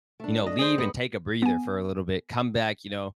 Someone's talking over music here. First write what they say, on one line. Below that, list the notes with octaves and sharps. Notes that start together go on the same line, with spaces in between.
you know, leave and take a breather for a little bit, come back, you know,
A3 D4
D#5
G#4 C5 D5
F2 B3
B3 G#5